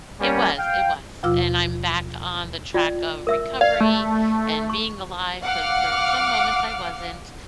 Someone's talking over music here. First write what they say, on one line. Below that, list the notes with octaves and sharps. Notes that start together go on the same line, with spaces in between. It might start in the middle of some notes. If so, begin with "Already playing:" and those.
It was, it was, and I'm back on the track of recovery and being alive 'cause there were some moments I wasn't,
G3 A#3 C#4
F5 G5
D#2 B2 F3 F4 D6 E6
F4 D5 G5
A#4 E5 E6
D5 F5
A3
C#6
F5 F#5 D6 F6